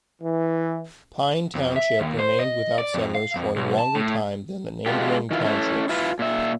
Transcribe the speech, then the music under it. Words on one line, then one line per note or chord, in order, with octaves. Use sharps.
Pine Township remained without settlers for a longer time than the neighboring townships.
E3
F2
E5
D#2
C5
D#5
D5
F2
F5
F2
B1
A5
A2
G#3 A3 B3 C#4 F4 G4
D#3 E3 E4 F4
A3 C#4 E4
E4 F4 B4
A#2 E5